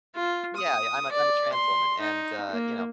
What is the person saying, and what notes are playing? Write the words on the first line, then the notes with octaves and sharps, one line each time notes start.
Yeah, I'm a I'm a trans woman. And, uh, you know,
F4
D#6
D5
C6
D#4
A#3